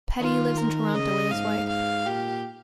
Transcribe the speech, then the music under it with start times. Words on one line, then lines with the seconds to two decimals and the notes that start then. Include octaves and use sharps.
Peddie lives in Toronto with his wife.
0.21 D#3 F4
0.57 A#4
0.95 C#3 D#5
1.32 G#2 F5
1.69 F5
2.06 A#2 G4